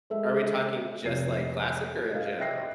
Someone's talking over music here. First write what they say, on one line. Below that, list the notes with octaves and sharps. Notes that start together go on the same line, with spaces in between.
Are we talking just like classic, or in general?
G#3 A4 E5
F1 C7
D#5 F5
D#5 E5 G5 F#6 A#6 C7